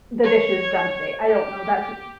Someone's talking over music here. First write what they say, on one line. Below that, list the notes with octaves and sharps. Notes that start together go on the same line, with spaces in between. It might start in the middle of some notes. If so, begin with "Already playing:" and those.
the dishes done today, I don't know. That's r
C#5
G4